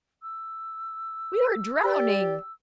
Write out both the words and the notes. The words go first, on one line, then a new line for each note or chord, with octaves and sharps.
We are drowning!'
E6
G4 D5